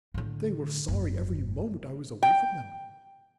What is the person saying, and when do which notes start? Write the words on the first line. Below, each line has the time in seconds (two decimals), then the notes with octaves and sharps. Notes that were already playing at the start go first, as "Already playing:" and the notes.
They were sorry every moment I was away from them.
0.14 A2 D3
0.88 F#1 G#2
2.23 G5